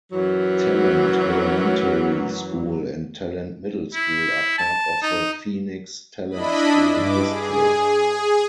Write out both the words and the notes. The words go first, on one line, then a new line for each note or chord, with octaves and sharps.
Talent Elementary School and Talent Middle School are part of the Phoenix-Talent School District.
F#2 E3 F#3
E4
A5
D#4
D4 E4 D#5 B5
G2 D6
G#4